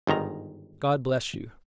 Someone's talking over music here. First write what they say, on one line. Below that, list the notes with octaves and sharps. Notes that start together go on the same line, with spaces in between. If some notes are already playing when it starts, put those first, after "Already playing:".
God bless you!
G1 G#2 D#3 A#5